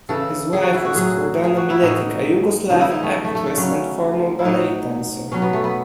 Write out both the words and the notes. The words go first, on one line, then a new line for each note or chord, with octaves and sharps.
His wife was Gordana Miletic, a Yugoslav actress and former ballet dancer.
C#3 E3 A4
G#4
F#4
E4
F#4
A2 F#3 G#4
G#4
F#4
E4
A2 E3 D#4
C#3 E3 D#4
E4
D#4
A3
A3
A3
A3
A3
C#3 F#3 C#4
E4
A2 F#3 D#4
B2 F#3 C#4
B3
A3
B3